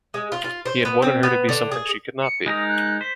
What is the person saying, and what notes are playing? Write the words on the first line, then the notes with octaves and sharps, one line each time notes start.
He had wanted her to be something she could not be.
G#3
F4
F4
C5
B3
C4
B3
D3
G#4
C#7
G#3 D#4 A#4 D#6
F#6
C5 B6